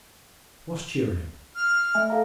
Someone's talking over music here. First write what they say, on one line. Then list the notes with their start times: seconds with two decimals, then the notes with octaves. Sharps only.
What's cheerin' him?
1.56 F6
1.95 A3 E5 G#5
2.10 A4 F5 A#5